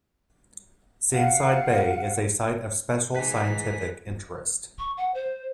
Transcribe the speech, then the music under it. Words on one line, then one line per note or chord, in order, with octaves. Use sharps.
Sandside Bay is a Site of Special Scientific Interest.
F5 F#5
G#2 B4 G#5 B6
C#6
F#5
C5